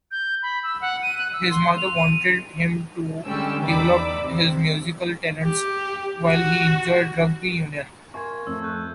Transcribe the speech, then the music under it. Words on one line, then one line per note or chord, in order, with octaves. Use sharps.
His mother wanted him to develop his musical talents, while he enjoyed rugby union.
G6
B5
E6
F#5
D#7
F#6
E6
C6
F7
D#7
D3 G3 G#3 C#4 G5 E6
E2 D#4 D5 B5 D6 E6
C3
G4
F#4
A#4 F5 G#5 C6 C#6 G#6
F2 A3 E6
A4 F#6 G6